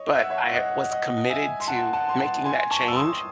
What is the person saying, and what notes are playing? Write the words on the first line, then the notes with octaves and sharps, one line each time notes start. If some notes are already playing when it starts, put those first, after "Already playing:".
but I was committed to making that change,
Already playing: C#5 D#5
E5
F#5
C#5 E5
D#5 F#5
D#5 F#5
E5 G#5
C6
F#5 A5
F#5 A5
C6
F#5 A5
G#5 C6
A5 C#6
E6
C6 D#6